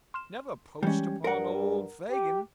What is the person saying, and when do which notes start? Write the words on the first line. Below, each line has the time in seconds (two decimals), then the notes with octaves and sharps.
Never poached upon old Fagin!
0.14 C6 F6 E7
0.83 E3 G3 G#3 C#4
1.24 G2 A#4 F#5
2.11 G4